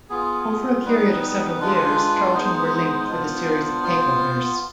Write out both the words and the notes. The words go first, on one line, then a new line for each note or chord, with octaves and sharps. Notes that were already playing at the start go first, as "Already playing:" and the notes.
Over a period of several years Charlton were linked with a series of takeovers.
B3 F4 G#4
G#4
G3 B3 D#4 B4
G#3 D4 F4
G#3 B3 D#4 C5
B3 D4 F4
B3 F4